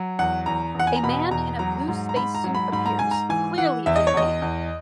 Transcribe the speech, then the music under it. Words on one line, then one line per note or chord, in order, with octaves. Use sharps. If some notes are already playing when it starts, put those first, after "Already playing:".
A man in a blue space suit appears, clearly in pain.
Already playing: F#3
E2 F#5
E2 A#5
E2 F#5
G#5
A#5
B2 B5
E2 A#5
F#3 A#5
G#2
A#5
G#2 B5
A#5
F#3
B5
G#2 B5
A#5
G#2 G#5
A#5
E3 G#5
E3 F#5
E2 E5
D#5
C#5
E2 D#5
E2